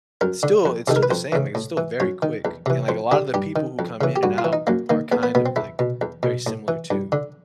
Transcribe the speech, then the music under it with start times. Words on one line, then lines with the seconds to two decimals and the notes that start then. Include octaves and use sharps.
still it's still the same, like, it's still very quick, and, like, a lotta the people who come in and out are kind of, like, very similar, too.
0.21 F#2 A#4
0.43 D3
0.65 F2
0.88 C3 D#3 A4
0.96 A#4
1.03 B4
1.11 F2 C5
1.32 C#3 E3
1.55 A2
1.77 E3
2.00 F#2 C#5
2.22 D#3
2.45 E2
2.66 C3 E3
2.88 F2 C5
3.12 D3 G4
3.34 G2 G4
3.56 D#3
3.79 F2
4.01 C#3 E3
4.16 G4
4.23 G2 F#4
4.38 F4
4.45 E3
4.53 D#4
4.67 F#2 A#3
4.90 D#3 A#3
5.12 E2 B3
5.23 B3
5.35 B2 B3
5.46 C4
5.56 E2 E4
5.79 B2
6.01 E2
6.23 B2
6.47 A2
6.68 E3
6.91 G2
7.12 D3